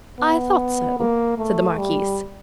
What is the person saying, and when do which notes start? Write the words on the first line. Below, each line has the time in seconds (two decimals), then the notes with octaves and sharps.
"I thought so," said the marquise.
0.20 B3
0.99 A#3
1.38 A3
1.78 G3